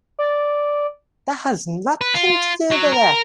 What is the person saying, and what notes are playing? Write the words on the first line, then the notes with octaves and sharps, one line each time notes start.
That has nothing to do with it!
D5
B4
F4
F#3
A#4